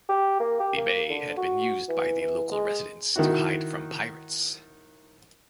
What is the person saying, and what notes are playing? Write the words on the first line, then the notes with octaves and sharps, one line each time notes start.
The bay had been used by the local residents to hide from pirates.
G4
A#3
G4
A#3
D3
F#4
E3
E3
G#3
D#3 E4 F#4